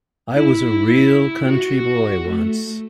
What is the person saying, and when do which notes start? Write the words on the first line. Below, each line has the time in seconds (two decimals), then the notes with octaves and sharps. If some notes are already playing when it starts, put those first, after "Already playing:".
I was a real country boy, once.
0.34 E4
1.46 F#4
2.29 A3